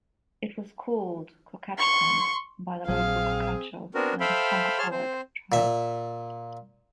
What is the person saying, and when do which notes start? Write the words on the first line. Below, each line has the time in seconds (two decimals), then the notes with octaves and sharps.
It was called Cochaticquom by the local Cochato and Ponkapoag tribes.
1.78 C6 C#6
2.88 A#1 F#3 C4 G#4 F5
3.95 B3 C4 D4 F#4 A#4
4.20 A4 C5 E5 F5 G5 B5
4.78 G#4 C#5 A5 C6 F6
4.91 C4 C5
5.52 A#2 E5